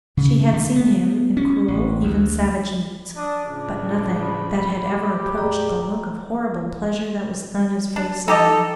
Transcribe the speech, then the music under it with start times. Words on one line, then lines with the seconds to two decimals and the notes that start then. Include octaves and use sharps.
She had seen him in cruel, even savage moods, but nothing that had ever approached the look of horrible pleasure that was on his face now.
0.17 C#3
0.53 D3
0.76 B3
1.37 C#4
1.68 A1
2.03 D2
3.16 D4 D#6
3.45 A2 C#3 F3 D4
4.21 B5
4.84 G4
5.38 F2 A#2 G#4 D5 A#5
7.96 D4
8.28 D#4 G4 A4 D#5